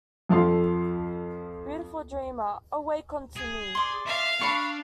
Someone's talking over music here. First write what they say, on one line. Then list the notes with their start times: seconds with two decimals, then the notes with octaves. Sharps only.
Beautiful dreamer, awake unto me!
0.29 F2 F3 A4 F5 C6
3.36 G#4
3.75 D5 C6
4.07 E5 F5
4.41 D4 B5 C#6